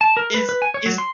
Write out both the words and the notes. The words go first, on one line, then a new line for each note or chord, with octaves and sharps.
Is is
A5
A#4
B4
B4
G#5
C#5
F#3
C6